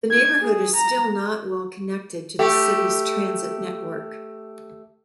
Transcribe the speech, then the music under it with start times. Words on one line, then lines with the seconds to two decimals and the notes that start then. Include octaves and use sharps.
The neighborhood is still not well-connected to the city's transit network.
0.11 G#6
0.41 G#4
0.76 A#5
2.39 A3 G4